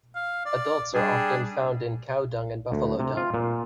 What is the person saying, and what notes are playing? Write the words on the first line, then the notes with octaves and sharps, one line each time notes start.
Adults are often found in cow dung and buffalo dung.
F5
D5
G3 D4 G#4
D2
C3
F4
A#2